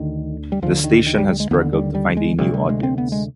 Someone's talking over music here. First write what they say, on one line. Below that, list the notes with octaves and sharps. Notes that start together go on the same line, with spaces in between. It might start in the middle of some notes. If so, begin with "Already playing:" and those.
The station has struggled to find a new audience.
Already playing: D2 D3 D#3
G3
D2 D3 F3
D#3
D#3
G3
G3
G#3
D#2 D3 B3
G3
G3
G#3
D2 C3 G3
G3
G#3
C4
B3
G#3